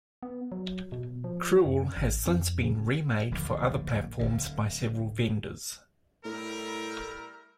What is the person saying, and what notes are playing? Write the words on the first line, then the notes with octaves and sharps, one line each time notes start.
Cruel has since been remade for other platforms by several vendors.
B3
F#3
B2
F3
F#2
A1
F2
C#3
D1 A#1 D#2 D3
D1 B1 D3
A2 G3 E4 A#4